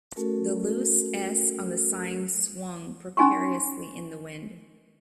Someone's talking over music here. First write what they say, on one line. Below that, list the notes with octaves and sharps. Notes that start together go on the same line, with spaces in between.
The loose S on the sign swung precariously in the wind.
A3 C#4 F#4 A4 A#4
C#4 D#4 G#5 C6 C#6